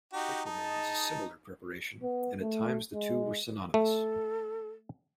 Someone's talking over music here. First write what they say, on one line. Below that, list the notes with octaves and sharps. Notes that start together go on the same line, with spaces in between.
Liquamen was a similar preparation, and at times the two were synonymous.
D#4 F#4 G4
D#4 G#4 D#5 A5
B3
A3
G#3
A3 A4